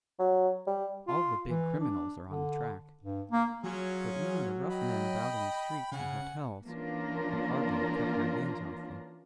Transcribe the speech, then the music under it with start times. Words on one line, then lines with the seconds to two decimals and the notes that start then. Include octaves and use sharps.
All the big criminals are on the track; but even the rough men about in the streets and hotels could hardly have kept their hands off them.
0.19 F#3
0.67 G3
1.08 F4
1.49 E3
1.80 D4
2.29 D3
3.03 G2
3.31 A#3
3.64 F#3 C#4 F4 G#4
4.70 D#5 G5 B5
5.92 C#3 F#5 G#5
6.64 E3 A#3 C#4 D4 F4 A#4